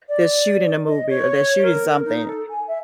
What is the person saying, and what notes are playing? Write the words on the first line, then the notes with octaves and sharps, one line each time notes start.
they're shooting a movie or they're shooting something.
D5
D#5
C#5
A#4
D#4
A4
G#5
E5